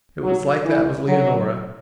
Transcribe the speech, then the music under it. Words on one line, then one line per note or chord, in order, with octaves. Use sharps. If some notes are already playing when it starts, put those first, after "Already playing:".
It was like that with Leonora.
F#3
E3
F#3